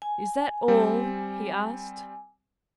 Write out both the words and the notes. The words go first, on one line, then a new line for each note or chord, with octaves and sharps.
"Is that all?" he asked.
G#5
G3 C4